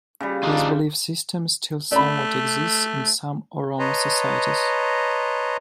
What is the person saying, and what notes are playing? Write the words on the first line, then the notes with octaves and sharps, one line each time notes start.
This belief system still somewhat exists in some Oromo societies.
C#3 G3
D4 D#4 F4
A3 D5 B5
B4 C#5 D#5 A5 A#5 C6